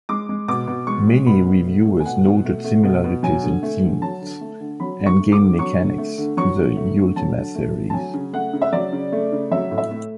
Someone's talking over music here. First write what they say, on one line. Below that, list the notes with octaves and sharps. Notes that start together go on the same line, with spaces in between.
Many reviewers noted similarities in themes and game mechanics to the "Ultima" series.
G#3 D6
G#3
B2 D6
B2
G#3 C#6
G#3
B2 B5
B2
A3
A3
G#5
B2 F#5
B2
A3
A3
B2
B2
F#3 G#5
D3
A3
D3
F#3 A5
D3
A3
D3
F#3 B5
D3
C#6
A3
D6
D3
F#3 C#6
D3
A3
D3
F#3 C#6
D3
A3
D3
F#3 A5
D3
A3
D3
A5
F#3 G#5
C#3
A3 F#5
C#3
E5
F#3 D5
C#3
A3
C#3
F#3 E5
A2
E5
A3